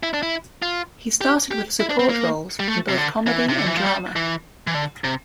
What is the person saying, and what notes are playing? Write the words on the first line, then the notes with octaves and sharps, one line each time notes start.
He started with support roles in both comedy and drama.
E4
D4
E4
F4
G4
G4
E4
D4
C4
A#3
G3
A3
C3
D3
E3
C3
D3
E3
F3
G3
E3
E3
D3
C3